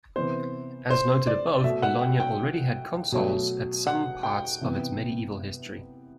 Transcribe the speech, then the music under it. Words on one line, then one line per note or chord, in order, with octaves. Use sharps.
As noted above, Bologna already had consuls at some parts of its Medieval history.
C3 E3 B3 C5
C5
D5
B2 A3 E5
F#5
G5
G5
B2 F#3 A3
F#5
G5
C3 E3 B3